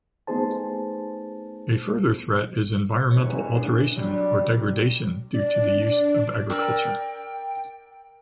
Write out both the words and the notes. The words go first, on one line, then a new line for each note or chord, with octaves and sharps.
A further threat is environmental alteration or degradation due to the use of agriculture.
A3 B3 D#4 G#4 C5 A5
A1 E2 G#2 B4 C#5
D4
F#3 G3 D4
C3 F#3
D4 D5
A#4 D5 G5 E6